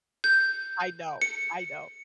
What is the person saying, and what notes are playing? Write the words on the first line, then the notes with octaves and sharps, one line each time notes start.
I know, I know.
G6
C#7